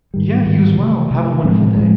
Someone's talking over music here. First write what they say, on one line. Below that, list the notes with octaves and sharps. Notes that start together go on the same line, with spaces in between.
Yeah, you as well. Have a wonderful day.
G#2 D#3 G3
G#2 D#3 G3
C3 E3 A3
C3 E3 A3
A2 F3 G#3 C4
A2 F3 G#3 C4